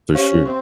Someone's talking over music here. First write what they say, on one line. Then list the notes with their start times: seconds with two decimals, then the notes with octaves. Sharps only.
For sure.
0.14 C#4 G4 C5 F5
0.45 C4